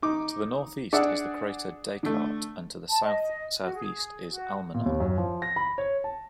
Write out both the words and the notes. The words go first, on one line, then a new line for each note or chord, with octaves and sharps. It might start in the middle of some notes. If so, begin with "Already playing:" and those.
To the northeast is the crater Descartes, and to the south-southeast is Almanon.
D#4 D6
D4 G#4 D5 E5 F#5
D3 A3
A5
D#5
F#4
G#4
F#4
A#2
D#2
F#2
F3
A#6
B5
C#5
A5